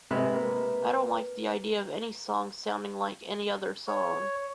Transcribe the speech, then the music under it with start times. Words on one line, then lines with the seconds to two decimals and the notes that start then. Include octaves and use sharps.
I don't like the idea of any song sounding like any other song.
0.11 C3 G#3 B4
0.34 A#3
3.88 C#5